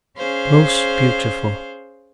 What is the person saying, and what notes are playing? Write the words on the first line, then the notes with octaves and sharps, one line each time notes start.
Most beautiful.
C#4 G#4 C5 F5